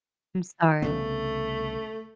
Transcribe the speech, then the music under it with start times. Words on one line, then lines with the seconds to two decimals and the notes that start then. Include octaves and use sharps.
I'm sorry.
0.82 C2 C#3 A3 B3